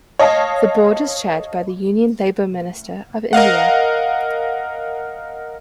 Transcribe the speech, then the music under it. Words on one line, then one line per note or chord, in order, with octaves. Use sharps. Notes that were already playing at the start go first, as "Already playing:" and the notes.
The board is chaired by the Union Labour Minister of India.
C#5 D#5 F5 A5
A#4 D#5 F5 F#5